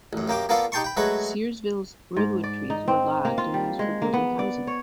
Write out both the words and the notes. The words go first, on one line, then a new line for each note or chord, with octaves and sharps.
Searsville's redwood trees were logged and used for building housing.
A1 F#2
F#2 A#3 G4 D6
A#3 B3 F4 A4 D5 F5
D#4 G4 G5 A5 C6 C#6
G5 B5
F#3 G#3 A3 F#4 B4
G#2
D5
D#4
C4
A#3
F4
G3
G#3
A#3
B3
D5
C#5